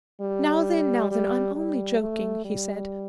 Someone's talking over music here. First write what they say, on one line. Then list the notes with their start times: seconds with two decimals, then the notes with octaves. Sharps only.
"Now then, now then, I'm only joking!" he said.
0.21 G3
1.11 G3
1.55 G3
2.00 A3
2.45 G3